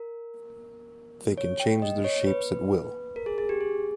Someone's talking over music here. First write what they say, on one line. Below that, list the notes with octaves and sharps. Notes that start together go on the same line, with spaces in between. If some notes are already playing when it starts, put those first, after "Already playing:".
They can change their shapes at will.
Already playing: A#4
C#5
G5
D#5
C#5
B4
A#4
G#4
G#4
G4
G#4